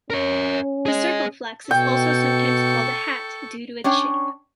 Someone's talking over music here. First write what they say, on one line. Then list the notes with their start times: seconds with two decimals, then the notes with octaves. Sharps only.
The circumflex is also sometimes called a hat due to its shape.
0.10 C#4 A#4 C#5
0.86 G#4 D#5
1.71 B2 A4 G5 C#6
3.84 C#4 D4 C#5 G5